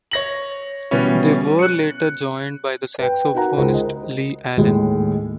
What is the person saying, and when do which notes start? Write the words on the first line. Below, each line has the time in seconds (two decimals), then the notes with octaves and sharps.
They were later joined by the saxophonist Lee Allen.
0.11 C#5 A#6 F#7
0.91 B2 E3 G3 B3 C#4
1.59 F#6 C#7
2.98 B4 G5
3.34 D#4 F#4 A#4 F#5 A#5
3.57 C#2 G#3 A#4 C5
3.74 D#5
4.57 D#2 A2 G#3